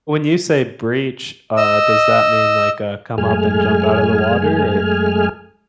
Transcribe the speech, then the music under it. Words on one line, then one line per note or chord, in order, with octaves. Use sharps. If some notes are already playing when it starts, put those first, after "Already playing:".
When you say "breach," uh, does that mean, like, uh, come up and jump out of the water, or
D#5 E6
F#2 G#3 A3 G#4 G#5 F6